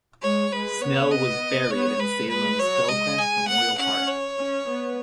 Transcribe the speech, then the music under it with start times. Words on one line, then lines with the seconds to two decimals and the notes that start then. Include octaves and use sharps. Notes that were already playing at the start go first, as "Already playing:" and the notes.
Snell was buried in Salem's Belcrest Memorial Park.
0.22 G#3 C#5
0.52 G#3 B4
0.82 B3 C#5
1.12 D#5
1.70 B3 C#5
2.00 G#3 B4
2.29 G#3 B4
2.59 F#3 C#5
2.89 G#3 D#5
3.19 G#5
3.48 B3 F#5
3.78 C#4 F#5
4.08 C#5
4.37 C#4
4.66 B3